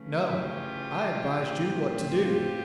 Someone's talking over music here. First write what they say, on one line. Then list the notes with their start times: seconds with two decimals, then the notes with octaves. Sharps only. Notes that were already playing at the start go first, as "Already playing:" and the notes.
"No, I advised you what to do!"
Already playing: C#3 E3 A3 C#4
0.21 F4 G4
1.42 A2 E3 A3 C4
2.21 F4 G4